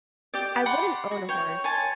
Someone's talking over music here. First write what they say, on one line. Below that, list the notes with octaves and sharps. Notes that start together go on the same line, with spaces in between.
I wouldn't own a horse,
G4 D5
F#5 B5 C6 D6
F#4
C#5 G5
C#5 G#5 A5 C6